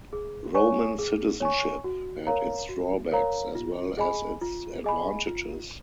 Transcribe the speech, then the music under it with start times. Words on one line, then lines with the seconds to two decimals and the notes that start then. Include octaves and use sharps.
Roman citizenship had its drawbacks as well as its advantages.
0.13 G#4
0.55 C#5 G#5 C#6
0.99 G#4
1.40 C#5 G#5 C#6
1.84 F#4
2.27 A#4 C#5 F5 A#5
2.69 F#4
3.12 A#4 C#5 F5 A#5
3.55 F4
3.97 G#4 D#5 G#5 B5
4.41 F4
4.84 G#4 D#5 G#5 B5
5.27 F4